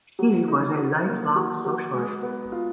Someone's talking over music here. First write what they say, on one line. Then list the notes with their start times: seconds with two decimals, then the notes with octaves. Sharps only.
She was a lifelong socialist.
0.19 F#3
0.48 D#4
0.77 F#4
1.06 A#3
1.36 F#3
1.65 F#3
1.94 G#3
2.23 B3
2.52 F4